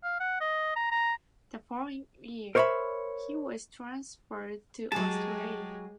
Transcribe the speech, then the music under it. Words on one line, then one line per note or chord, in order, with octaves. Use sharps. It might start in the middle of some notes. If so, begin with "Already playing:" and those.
The following year, he was transferred to Australia.
F5
F#5
D#5
A#5
A#5
A#4 C5 C#5 D#5 E5 B5
F#3 G#3 G4 G#4 A5